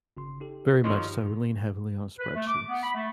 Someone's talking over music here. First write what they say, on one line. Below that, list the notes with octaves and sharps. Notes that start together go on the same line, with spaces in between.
very much so, we lean heavily on spreadsheets.
G1 C#3 C6
D#4 G4 A4
G2 D#3 F3 F#3 G4
B4
A3
D6
B3
B5
A3